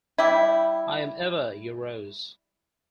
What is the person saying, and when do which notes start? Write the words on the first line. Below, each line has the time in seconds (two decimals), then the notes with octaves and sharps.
I am ever your rose.
0.18 G3 E4